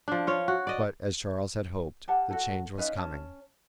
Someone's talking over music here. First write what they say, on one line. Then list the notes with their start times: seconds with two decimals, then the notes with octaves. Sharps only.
But, as Charles had hoped, the change was coming.
0.08 F3 D4
0.27 F4 C#5
0.48 F#4
0.67 D5 D#5
2.08 G4 F5 F#5 A5
2.30 F#4 A4
2.77 C#4 D#4 B4 F5
2.96 C#4 A5